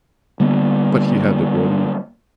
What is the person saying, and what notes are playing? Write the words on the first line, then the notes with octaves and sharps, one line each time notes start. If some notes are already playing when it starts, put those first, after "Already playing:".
But he had it ready.
D3 G3 A#3 B3